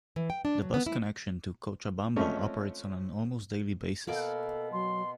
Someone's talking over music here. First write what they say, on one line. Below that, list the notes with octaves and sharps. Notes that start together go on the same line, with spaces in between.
The bus connection to Cochabamba operates on an almost daily basis.
E3
G5
D4
F#3
B3
E4
F3 G#3 A3 C4 C#4 C#5
B2 A#3 A4 D6
F#3 C6